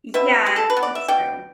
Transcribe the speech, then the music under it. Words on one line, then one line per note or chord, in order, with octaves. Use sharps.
Yeah, that's true.
B2 B4 E5
G3
A4
B4
B3
D5
E5
B2 D5 G5